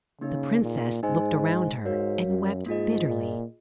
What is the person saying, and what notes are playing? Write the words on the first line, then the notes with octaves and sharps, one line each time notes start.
The princess looked around her, and wept bitterly.
C#3 A#3 D#4 G#4
A#2
G#2 D#4 G#4 C5 D#5 G#5
G#2 F#4 A#4 C#5 F5
F#2
G#2 A#3 F4 G#4 D#5
A#2